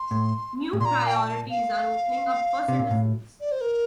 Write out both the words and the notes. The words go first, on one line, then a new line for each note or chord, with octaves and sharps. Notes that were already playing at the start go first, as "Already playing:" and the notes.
New priorities are opening up for citizens.
Already playing: C6
A2
A2
A#2 A#5 C6
G5
A5
F5
C3
A#2
A2
D5
C5
A#4